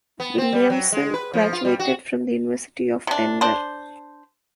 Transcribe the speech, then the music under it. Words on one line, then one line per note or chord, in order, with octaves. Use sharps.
Williamson graduated from the University of Denver.
B3
C4
G3
F#3
G#3
B4
F3
F4
G3
F#4
C3 D4
D4 C5